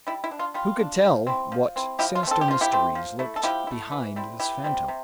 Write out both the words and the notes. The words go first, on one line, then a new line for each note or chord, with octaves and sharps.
Who could tell what sinister mysteries lurked behind this phantom?
G3 E4
E4
D4
F4
G3 F4
D4
F3
C4 E4
F3
C4 E4
F3 E4 G4
F4
A3
C4 A4
G4
F3 F4
E4 G4
A3 C4
F3
A3 E4
A4
F3 E4 G4
A3 E4
E3
G3 C4 E4
E3 E4 G4
G3 C4 E4
C3